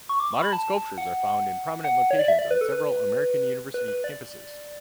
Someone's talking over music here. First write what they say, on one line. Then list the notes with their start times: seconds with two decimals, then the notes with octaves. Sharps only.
Modern sculptures are found in prominent locations on several American university campuses.
0.09 C#6
0.20 D6
0.32 C#6
0.42 B5
0.53 A5
0.98 F#5
1.84 F#5
2.11 C#5
2.19 D5
2.28 E5
2.39 D5
2.51 B4
2.61 A4
2.72 B4
3.74 B4
3.88 B4
4.04 D5